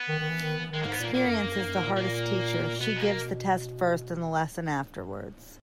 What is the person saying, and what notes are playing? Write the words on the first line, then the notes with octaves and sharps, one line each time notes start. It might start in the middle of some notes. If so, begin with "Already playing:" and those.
Experience is the hardest teacher. She gives the test first and the lesson afterwards.
Already playing: B3
D#3
D#3
E3
D#3
E3
D#3 G#3
G#2 A#3
B3
A#2 A#3
A#2 A#3
F#2
F#2
G#2
F#2
G#2
A#2
A#3
B2 B3
G#3
A#3